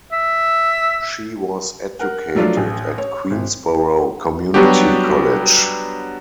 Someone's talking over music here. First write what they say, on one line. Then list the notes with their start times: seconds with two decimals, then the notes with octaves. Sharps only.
She was educated at Queensborough Community College.
0.12 E5
1.99 A#4 F#5
2.35 F3 F#3 A3 D4 F4
2.57 A1
2.98 C#5
3.30 G#1
4.54 F#3 G3 B3 D4 F#4 G4